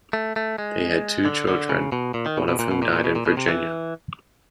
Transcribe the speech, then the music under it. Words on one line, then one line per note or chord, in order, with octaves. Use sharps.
They had two children, one of whom died in Virginia.
A3
A3
G#3
D3
D3
C#3
B2
A#2
D#3
B2
B2
A#2
B2
A#2
A#2
B2
A#2
B2
C3
E3